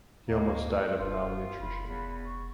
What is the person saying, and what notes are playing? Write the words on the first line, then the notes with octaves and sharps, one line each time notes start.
He almost died of malnutrition.
D2 A#3 D#5
E1 F4 C5
F1 B5
E2 B5
C#6